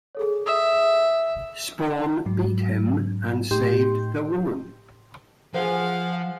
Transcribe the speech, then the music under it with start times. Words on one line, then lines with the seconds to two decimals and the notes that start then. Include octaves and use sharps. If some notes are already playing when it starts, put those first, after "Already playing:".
Spawn beat him and saved the woman.
0.15 G#4 A4 C#5
0.46 E5 D#6 E6 E7
2.26 G#2 F#3
3.51 A2 D#4 G4 C6 G6
5.54 F3 G#4 C5 F5 F#5